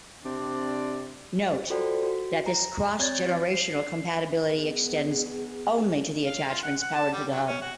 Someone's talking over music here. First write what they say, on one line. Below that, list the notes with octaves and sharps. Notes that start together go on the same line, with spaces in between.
Note that this cross-generational compatibility extends only to attachments powered through the hub.
C3 C4 D4 D5
F4 F#4 A4 C5 D5 G5
F#4
A#5
C4 C#5 D5 G#6 A6
C7
B3 G#4
F5
F4
F#5
F#5
A5
G3
F#3
C#4
F#4